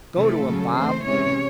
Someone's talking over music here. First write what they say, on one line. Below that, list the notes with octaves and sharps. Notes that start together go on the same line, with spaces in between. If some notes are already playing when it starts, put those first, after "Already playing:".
"Go to him, Bob."
C3 E3 A3 C4 A4
C#3 F#3 C#4
E3 A3 C4 C5
C3 E3 G#3 C#4 C#5